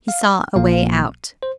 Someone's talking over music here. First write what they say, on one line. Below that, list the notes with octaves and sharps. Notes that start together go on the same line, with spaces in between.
He saw a way out.
F5
A#1 A#2 F3 A#3 F5
C5